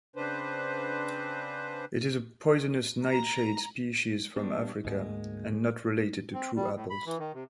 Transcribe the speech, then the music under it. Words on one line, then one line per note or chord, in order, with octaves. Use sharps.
It is a poisonous nightshade species from Africa and not related to true apples.
C#3 C4 D4 B4 C5
A#5
G3 B3 D4
D2 G#2 G#3 A#3
C4
G3
A2
B5
E3
D#3
C3